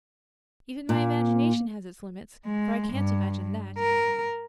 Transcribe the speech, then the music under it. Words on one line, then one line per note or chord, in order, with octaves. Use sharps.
Even my imagination has its limits, for I can't imagine THAT.
A#2 A#3
G#3
G2
A#4